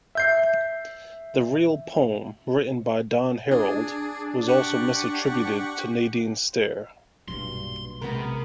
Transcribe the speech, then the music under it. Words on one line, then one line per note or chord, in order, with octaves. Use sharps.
The real poem, written by Don Herold, was also misattributed to Nadine Stair.
E5 G6 C7
D4 G#4
G4 F#5 C#6
B1 G2 A#2 F#3 C6
C3 G#3 B3 A#4